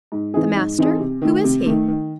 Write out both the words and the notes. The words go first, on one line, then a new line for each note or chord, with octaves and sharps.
"The master?--who is he?"
G#2
E3 C4 D#4 G#4
G#2
E3 C4 D#4 G#4
C3
D#3 A3
C3
D#3 A3
D#3